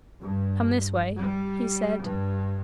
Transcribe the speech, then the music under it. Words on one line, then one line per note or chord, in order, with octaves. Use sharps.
"Come this way," he said.
G2
G3
G2